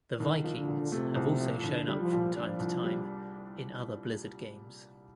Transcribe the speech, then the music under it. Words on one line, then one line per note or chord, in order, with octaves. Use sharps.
The Vikings have also shown up from time to time in other Blizzard games.
C2 D#3
F3
D3
A#2
C3 A3
C2
F3
C2 D3
G3
F3
A#2
F3 D4
C2
G3